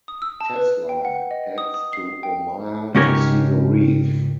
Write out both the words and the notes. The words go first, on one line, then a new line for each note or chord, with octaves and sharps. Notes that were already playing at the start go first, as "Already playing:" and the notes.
Tesla heads to Omaha to see the Reef.
D#6
E6
A5
B4
G5
F#5
D#5
D#6
D#6
C7
G5
C#2 G#2 C#4 G4 A#4 C#5